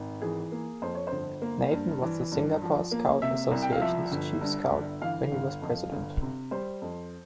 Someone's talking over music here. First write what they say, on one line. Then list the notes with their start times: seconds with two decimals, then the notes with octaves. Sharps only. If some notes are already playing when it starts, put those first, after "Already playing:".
Nathan was the Singapore Scout Association's Chief Scout when he was President.
Already playing: G#1
0.22 E3 G#4
0.52 A#3
0.82 F2 C5
0.95 C#5
1.07 G1 C5
1.42 A#3
1.72 G2
2.02 E3
2.32 G2
2.62 F3
2.92 A#3
3.22 C3 E5
3.51 C2
3.62 G5
3.72 F5
3.81 F3 E5
4.12 G1
4.41 G2
4.72 G1
5.02 E3 F5
5.32 G1
5.62 F2
5.92 G1
6.22 C3
6.51 G3 C5
6.82 F2